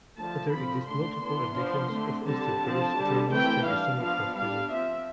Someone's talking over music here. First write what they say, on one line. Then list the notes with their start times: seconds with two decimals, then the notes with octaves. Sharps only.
That there exist multiple editions of Esther Burr's Journal can be somewhat confusing.
0.16 D3 F3 A3 A5
0.52 F3 C4 B5
0.86 D3 A3 D4 C6
1.22 E3 B3 D4 C6
1.56 F3 B3 D4
1.92 D3 A3 C4
2.26 D3 G3 C4 A5
2.61 F3 C4
2.96 D3 G3 D4
3.31 E3 A3 C4 G5
3.66 G3 D4 F5
4.01 F3 B3 D4 F5
4.36 G3 D4 F5
4.70 F3 C4 E5